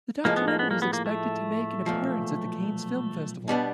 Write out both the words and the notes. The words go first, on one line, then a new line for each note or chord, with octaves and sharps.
The documentary is expected to make an appearance at the Cannes film festival.
A2 F3 G#3 A#3
B3
A#3
B3
A#3
B3
A#3
A3
B1 A#2 F3
B2 G3 B3 D4